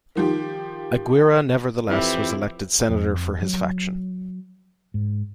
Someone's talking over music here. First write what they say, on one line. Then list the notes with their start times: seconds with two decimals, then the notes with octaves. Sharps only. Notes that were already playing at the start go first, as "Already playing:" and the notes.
Aguirre nevertheless was elected Senator for his faction.
0.15 D#3 F3 G4
1.89 F2 E3 E4 G4 C5
2.89 F2
3.42 F#3
4.94 G#2